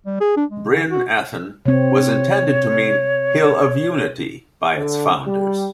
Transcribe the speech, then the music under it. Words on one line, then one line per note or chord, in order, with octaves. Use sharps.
"Bryn Athyn" was intended to mean "Hill of Unity" by its founders.
G3
G#4
D4
G#3
D3
F#4
C3 C4 C#5
D3
G3